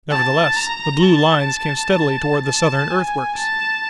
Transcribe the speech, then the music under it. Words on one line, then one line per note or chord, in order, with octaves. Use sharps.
Nevertheless the blue lines came steadily toward the Southern earthworks.
A5
A#5
A5
A5
G#5
A5